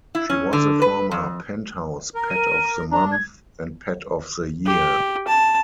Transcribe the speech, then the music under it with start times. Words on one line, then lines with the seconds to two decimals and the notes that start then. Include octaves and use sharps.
She was a former "Penthouse" Pet of the Month and Pet of the Year.
0.15 E4
0.30 C#4
0.53 D3
0.82 B4
1.11 F2
2.15 A#4
2.30 D#7
2.91 D4 A#5
3.12 G#6
4.66 G4
5.28 A5